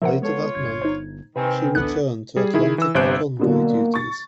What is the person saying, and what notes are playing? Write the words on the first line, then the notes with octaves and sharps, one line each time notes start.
Later that month, she returned to Atlantic convoy duties.
C#3 F3 A#4 C5 E5 F#5
G#3 B3 F4 A4 C#5
G1 G#6
D#4 C5
C3 D#3 C4 B4 G5 G#5
A1 D2 E3 B3 D4 A4 F#6
G3 G#4
D#3 E4 G#4
E3 E6
G1 C3 C5 F#6 D7
B2 D3 F#3 A#3
C#6 A6